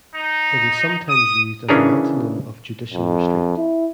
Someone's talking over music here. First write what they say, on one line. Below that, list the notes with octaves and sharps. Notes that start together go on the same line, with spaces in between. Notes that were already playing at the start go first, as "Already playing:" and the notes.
It is sometimes used as an antonym of judicial restraint.
D#4
D#6
C#3 E3 C#4 D4 G#4 A#4
F2
E4